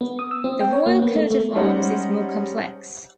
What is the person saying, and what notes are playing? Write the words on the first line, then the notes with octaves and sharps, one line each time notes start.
The Royal Coat of Arms is more complex.
B3
D#6
E6
C4
G5
C#5
A#3
B3
A3
A3
G3 G#3 C#4 D#4 C5 F#5